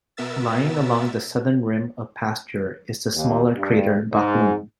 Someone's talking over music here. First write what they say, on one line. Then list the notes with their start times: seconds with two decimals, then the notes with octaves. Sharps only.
Lying along the southern rim of Pasteur is the smaller crater Backlund.
0.17 B2 B3 A#4 E5 E6 A6
3.15 D#2
3.55 G2
4.12 G#2